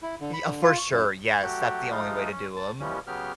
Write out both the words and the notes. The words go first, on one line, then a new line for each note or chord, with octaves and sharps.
Y uh, for sure, yes, that's the only way to do 'em.
E4
D3
B5
D3
F4
C#6
F#2
F#3 A3 F#4 G4
F3 G#3 A3 D#4 F4
C#4
A5
D#2 C3 E3 F3 G3 C#4
C#3 F#3 B3 G4 F6